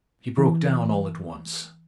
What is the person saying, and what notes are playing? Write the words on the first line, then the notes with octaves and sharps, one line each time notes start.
He broke down all at once.
E3